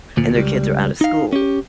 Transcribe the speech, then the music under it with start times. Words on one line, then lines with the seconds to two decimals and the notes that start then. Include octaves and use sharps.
and their kids are out of school,
0.17 D2 A#2
0.35 C#2 G3
1.01 D#4 F5
1.33 C#4 G4